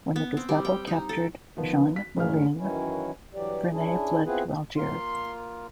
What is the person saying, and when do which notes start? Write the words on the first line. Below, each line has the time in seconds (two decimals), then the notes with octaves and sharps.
When the Gestapo captured Jean Moulin, Frenay fled to Algiers.
0.16 B3
0.37 C4
0.49 G3
0.65 G5
0.87 D#4
1.09 A4
1.57 D#3 F3 B3
1.96 B6
2.17 F#1 A2 D#3 G#4 F5 F6
2.58 F#2 D#3 E3 F#3 C#4 E4
3.34 G2 E3 F#3 G4 D5
3.72 C#4 D4 E4 G#4
4.26 B3 C4 E4 F4 G#4 B4
4.78 A#3 F4 C6